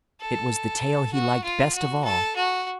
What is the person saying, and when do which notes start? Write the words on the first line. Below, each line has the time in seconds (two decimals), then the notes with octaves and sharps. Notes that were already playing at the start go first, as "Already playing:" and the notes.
It was the tale he liked best of all.
0.21 A4
1.13 F#4
1.44 F4
1.74 F#4
2.04 A4
2.36 F#4